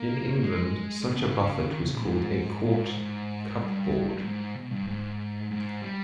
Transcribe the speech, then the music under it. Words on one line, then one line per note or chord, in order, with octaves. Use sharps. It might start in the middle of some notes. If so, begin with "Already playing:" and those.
In England such a buffet was called a court cupboard.
Already playing: A#3
G#3
C#3
B2
C#3
D#3
C#3
A#2
G#2
G#2
G#2
G2
G2
G#2
B2
G2
G#2
G#2
G3